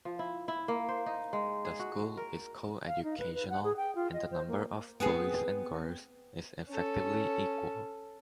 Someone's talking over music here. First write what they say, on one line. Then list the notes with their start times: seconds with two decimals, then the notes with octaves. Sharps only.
The school is co-educational and the number of boys and girls is effectively equal.
0.05 F3
0.19 E4
0.48 E4
0.68 A#3
0.89 C5
1.06 D#4
1.33 G#3
1.65 G#4
1.79 F#4
2.17 A#4
2.86 F5
3.03 D#4
3.18 B4
3.34 B4
3.50 F#5
3.64 G#4
3.77 G5
3.95 F4
4.13 D#5
4.31 C5
4.48 A#3
5.00 B3 C4 G#4
6.69 C#4 A4